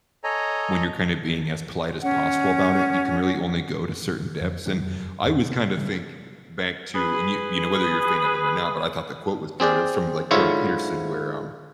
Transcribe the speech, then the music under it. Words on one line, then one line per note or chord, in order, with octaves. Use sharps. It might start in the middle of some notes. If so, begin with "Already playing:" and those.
when you're kind of being as polite as possible about it, you can really only go to certain depths, and I always kinda think back to and you you know, whether you're a fan of him or not, but I thought the quote was good. It was from, like, Jordan Peterson where, um,
A4 C#5 D#5 G#5 A#5
C#4 F#5
F2 D3 F3
F#2 D#3 G3 D4
F1 F#2
G#1 E2
C3
C#3 E3 G3
G#4 B4
C4 G#4 D5 G5
G#2 D3 E4 F4 C#5 E5